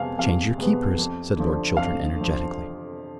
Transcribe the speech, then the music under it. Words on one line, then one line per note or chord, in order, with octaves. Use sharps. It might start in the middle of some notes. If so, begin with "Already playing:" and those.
"Change your keepers," said Lord Chiltern energetically.
Already playing: F2 C3 G#3 B3 F5 G#5
F2 F5
C3 G#3 B3
F2
D3 F3
F2 F5
D3
F3